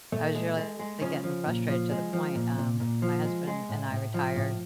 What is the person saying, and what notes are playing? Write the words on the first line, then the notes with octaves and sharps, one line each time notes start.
I was really getting frustrated to the point, um, my husband and I retired
A#2 A3
G#3
G#3
G#3
C#3 F3 C#4
F3
A#2
F3
G#3
F3
A#2
A#2
A#2
F3
G#3
G#3
A2
A2
F3
A2